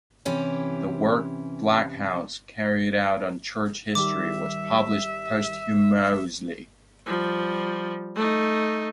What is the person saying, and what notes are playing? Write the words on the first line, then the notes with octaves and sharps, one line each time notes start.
The work Backhouse carried out on church history was published posthumously.
C3 E3 C#4 E4 G4
D#3 G3 G4 E5 D6
F3 G3
A3 D#4